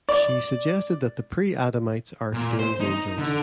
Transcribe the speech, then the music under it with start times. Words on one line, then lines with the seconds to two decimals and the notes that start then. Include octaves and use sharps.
She suggested that the pre-Adamites are today's angels.
0.09 D5
2.33 A#2
2.59 C5
2.80 D#4
3.18 D3